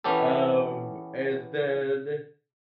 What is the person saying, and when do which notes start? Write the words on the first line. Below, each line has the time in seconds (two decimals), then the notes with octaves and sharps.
Um, and then
0.04 E3 B3 C#4 G4 A4